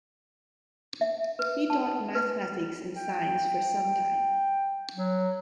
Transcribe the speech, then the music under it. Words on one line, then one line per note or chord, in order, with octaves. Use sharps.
He taught mathematics and science for some time.
E5
B4
A5
B4
G5
F#3